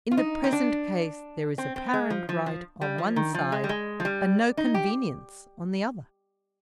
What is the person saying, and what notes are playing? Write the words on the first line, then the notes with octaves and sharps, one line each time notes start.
In the present case there is apparent right on one side, and no convenience on the other.
F4
D#4
C4
D4
C4
C4
G#3
F3
F3
F3
G3
F3
D#3
F3
G#3
G3
G#3
F3
G3
D#4
G4